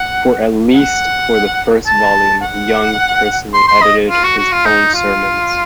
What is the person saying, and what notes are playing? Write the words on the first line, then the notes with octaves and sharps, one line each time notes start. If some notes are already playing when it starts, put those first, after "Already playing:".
For at least for the first volume, Young personally edited his own sermons.
Already playing: F#5
F#5
A5
F#5
C6
C6
D#5
F4
F#4
F#4
F4
D#4
F4